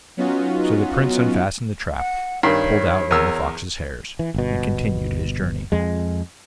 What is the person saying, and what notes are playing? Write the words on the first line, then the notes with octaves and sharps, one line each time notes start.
So the prince unfastened the trap, pulled out one of the fox's hairs, and continued his journey.
F#3 B3 C#4 D#4 F4 F#4
F#5
G2 D#3 C#5
E2 A#4 E6
E3
G1 B2
F2 G#3